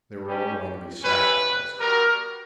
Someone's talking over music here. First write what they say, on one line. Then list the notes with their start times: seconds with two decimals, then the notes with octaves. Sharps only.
They were all going to be sacrificed.
0.26 G3 C#4 G4
1.03 C#4 E4 G4 B4
1.78 G3 B3 F#4 A#4